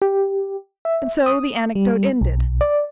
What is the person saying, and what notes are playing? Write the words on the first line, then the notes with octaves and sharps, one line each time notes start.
And so the anecdote ended.
G4
E5
D#6
G3
B1
D5